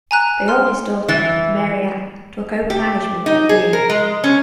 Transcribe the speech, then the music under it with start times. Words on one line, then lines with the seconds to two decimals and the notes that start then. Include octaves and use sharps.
The oldest daughter, Mary Ann, took over management of the inn.
0.11 G#5 A#5 F#6
0.48 C6 F6
1.08 E3 A6 E7
2.70 G4
3.26 D#4
3.49 G#4
3.73 A#4
3.90 G#3
4.24 C#4